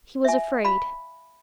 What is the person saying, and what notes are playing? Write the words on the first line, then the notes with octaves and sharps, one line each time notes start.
He was afraid!
E5 G#5
F5 B5